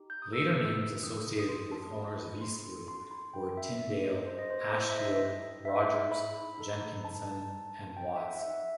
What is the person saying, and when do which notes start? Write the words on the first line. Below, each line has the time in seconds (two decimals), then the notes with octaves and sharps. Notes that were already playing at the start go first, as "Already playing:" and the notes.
Later names associated with owners of Eastwood were Tyndale, Ashfield, Rogers, Jenkinson and Watts.
Already playing: D#4 G4
0.10 G6
0.22 D#6
0.33 E6
0.56 E6
0.80 D#6
1.03 C4 E4 G4 D#6
1.25 D#6
1.39 D#6
1.49 C6
1.71 A5
1.95 B5
2.41 C6
2.88 D#4 F#4 A4 C6
3.11 B5
3.34 G5
3.57 E5
4.04 D#5
4.26 C5
4.39 D#5
4.50 C5
4.61 C5
4.72 C4 E4 A4 C5
4.90 E5
4.96 D#5
5.65 E5
5.89 E5
6.12 B5
6.58 D#4 A4
7.04 A5
7.97 G5
8.16 E5
8.21 F#5
8.43 G4 E5
8.48 D#4